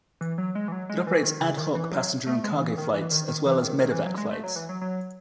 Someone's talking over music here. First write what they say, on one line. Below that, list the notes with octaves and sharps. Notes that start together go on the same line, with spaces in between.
It operates ad hoc passenger and cargo flights, as well as medevac flights.
E3
F#3
G#3
E3
F#3
G#3
E3
D#3
C#3
D#3
E3
F#3
A3
G#3
D#3
E3
D#3
E3
D#3
D#3
E3
D#3
D#3
E3
F#3
G#3
A3
F#3
E3
F#3
F#3